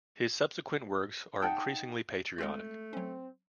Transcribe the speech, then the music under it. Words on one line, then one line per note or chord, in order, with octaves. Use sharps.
His subsequent works are increasingly patriotic.
D#4 F#5 G5 A5
G#3 A3 C4 F4
F#3 C4 C#4